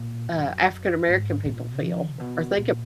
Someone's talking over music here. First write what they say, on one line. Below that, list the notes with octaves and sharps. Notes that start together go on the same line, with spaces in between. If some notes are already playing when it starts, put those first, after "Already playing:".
uh, African American people feel or think
Already playing: A#2
F#2
G#2
A#2
F3
A#2
B2
A#2